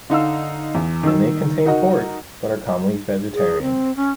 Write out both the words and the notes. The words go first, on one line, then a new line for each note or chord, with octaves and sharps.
They may contain pork, but are commonly vegetarian.
D3 D#4 F5 E6
E2
D#3 D#4 E6
D#4 F#4 A#4 D#5
G#4
C4
C#4